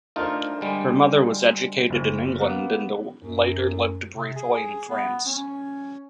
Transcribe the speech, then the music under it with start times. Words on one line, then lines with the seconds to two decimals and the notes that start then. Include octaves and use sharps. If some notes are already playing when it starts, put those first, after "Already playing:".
Her mother was educated in England and later lived briefly in France.
0.16 A3 D4 D#4 F4 A#4 C5
0.61 D3 G3 G#3
1.90 F#1
2.41 A#3 B3
3.23 F#2
4.14 C3
4.36 G#4
4.89 B3
5.26 C#4